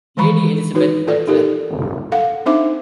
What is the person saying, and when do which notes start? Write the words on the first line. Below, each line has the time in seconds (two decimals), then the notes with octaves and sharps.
Lady Elizabeth Butler.
0.17 D#3 E3 G#3 A#5 B5 C#6
0.75 D#4 F#4 B4
1.07 F4 A4 D5
1.27 D#4 G4 A4 A#4
2.12 A4 F5 F#5
2.46 C4 D4 D#4 C5 E5 D6